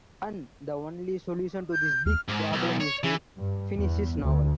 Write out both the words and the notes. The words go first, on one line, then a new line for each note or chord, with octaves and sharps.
And the only solution to this big problem is to finish his novel.
G6
D#2 F6
G#2
B1
C#5
E3
G2
E2
D2